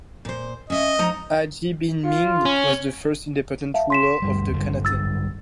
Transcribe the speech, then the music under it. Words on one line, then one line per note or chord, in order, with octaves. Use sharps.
Hajji Bi Ming was the first independent ruler of the khanate.
A#2 C5
C#4 D#5 E5
F3 D#4 A#5
F4
C#4
E5 F5 A5
C6 B6 E7
D2 G2 G3
A#1 G2 D3
E6 A6